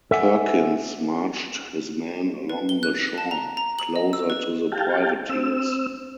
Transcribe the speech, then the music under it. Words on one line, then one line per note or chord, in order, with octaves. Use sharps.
Perkins marched his men along the shore, closer to the privateers.
A4 E5 F#5 G#5
B4
G7
F#6
A5
A#5
A#5
F#7
D#5
E6
B4
G4 F5 G5 A5
C4 E6